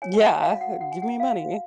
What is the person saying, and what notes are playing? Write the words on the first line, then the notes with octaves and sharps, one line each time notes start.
Yeah. Give me money.
C#5 G#5
G#5
F#4 F#5
F#4 F5
F#4 F#5
F#4 F#5
G#5
F#4 F#5
F#4 F5
F#4